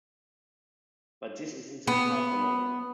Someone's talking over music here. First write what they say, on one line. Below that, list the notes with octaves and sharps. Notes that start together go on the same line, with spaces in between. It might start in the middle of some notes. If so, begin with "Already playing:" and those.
But this isn't the Parthenon.
B3